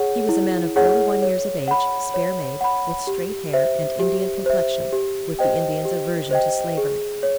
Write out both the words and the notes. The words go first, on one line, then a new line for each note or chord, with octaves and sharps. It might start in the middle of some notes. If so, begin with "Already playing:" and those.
He was a man of forty-one years of age, spare made, with straight hair, and Indian complexion, with the Indian's aversion to Slavery.
Already playing: G#4 C#5 F#5
E4
G#4 C#5 F#5
C#5
F#5 B5
C#5
F#5 B5
G4
C5 E5
G4
C5 E5
G4
C5 D#5 G5
G4
C5 D#5 G5
G#4
C#5